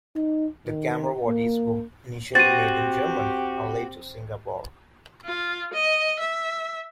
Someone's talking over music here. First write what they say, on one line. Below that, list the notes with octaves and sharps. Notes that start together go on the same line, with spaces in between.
The camera bodies were initially made in Germany, and later, Singapore.
D#4
D#3
A#3
C4 F#4 G4 A6 D#7
F4
D#5
E5